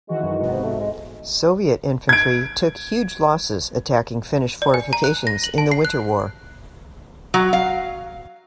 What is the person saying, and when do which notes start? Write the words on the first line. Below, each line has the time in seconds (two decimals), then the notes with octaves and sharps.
Soviet infantry took huge losses attacking Finnish fortifications in the Winter War.
0.09 D#3 E3 G#3 F#4
0.23 F#2
0.39 G#2 C3 B3 F#4
0.52 C4
0.64 A3
0.81 G#3
2.09 G#6 D7
4.62 D5
4.74 G#5
4.93 A#5
5.04 F#6
5.27 A#6
5.44 F#7
5.58 A5
5.72 C7
5.85 F#6
7.34 F#3
7.53 F5